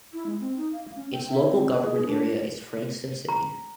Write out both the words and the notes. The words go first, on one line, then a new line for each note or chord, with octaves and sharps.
Its local government area is Frankston City.
E4
G#3
C4
D#4
F5
C#4
G5
E5
C4
B4
G#4
D4
A#5